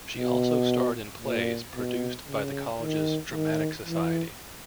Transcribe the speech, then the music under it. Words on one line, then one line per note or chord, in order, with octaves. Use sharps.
She also starred in plays produced by the college's dramatic society.
B2
A#2
B2
C#3
D#3
D#3
E3